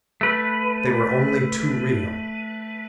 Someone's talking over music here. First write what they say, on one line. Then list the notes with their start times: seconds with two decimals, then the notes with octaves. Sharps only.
They were only too real.
0.21 A3 B4